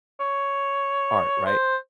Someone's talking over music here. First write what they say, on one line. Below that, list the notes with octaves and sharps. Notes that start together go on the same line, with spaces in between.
art, right?
C#5
C5